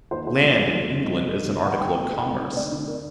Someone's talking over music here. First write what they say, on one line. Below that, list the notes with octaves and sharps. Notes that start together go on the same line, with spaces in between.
Land, in England, is an article of commerce.
D#2 C5
D#3 C5
A1
A2
D#2
D#3
C2 D#5
C3 D#3
G1
G2 D#3
D2 F#5
D3 G5
A#1
A2
D2
D3
D2 D5
D3
A#4